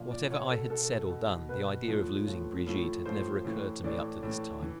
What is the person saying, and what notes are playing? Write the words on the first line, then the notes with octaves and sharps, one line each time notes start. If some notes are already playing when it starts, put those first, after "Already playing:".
Whatever I had said or done, the idea of losing Brigitte had never occurred to me up to this time.
Already playing: A#2 F3
D5
B2 C#5
A4
B2 A4
B2
B2 B4
A2 F3
A2 F3
A2 F3
A2 F3 C5
A2 E3
A2 E3 D5
A2 E3
E3